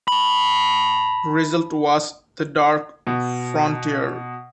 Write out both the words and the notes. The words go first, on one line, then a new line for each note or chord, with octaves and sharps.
Result was "The Dark Frontier".
A5 B5
B2